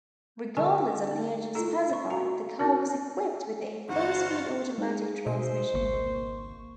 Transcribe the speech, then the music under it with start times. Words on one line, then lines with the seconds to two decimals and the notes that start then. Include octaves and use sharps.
Regardless of the engine specified, the car was equipped with a four-speed automatic transmission.
0.57 D3 G3 A#4 G#5 A5 C#6
1.11 D#4
1.55 E4 F4 A4 A#5
1.89 D#5 C#6
2.10 F#4 F5 A#5
2.59 C4 C#4 D#4 F#4 A#4
3.89 G1 G2 E3 F#4 C5 F5 F#5 A6
4.78 G#3 D#4 G#4
5.26 B2 C5 D#5 E5
5.74 G#1 C#2 A#3 C#6